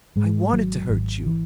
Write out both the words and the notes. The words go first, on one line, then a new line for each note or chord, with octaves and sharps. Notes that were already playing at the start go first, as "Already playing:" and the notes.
I wanted to hurt you.
G#2 G#3
G#1 F#3
G#1
E3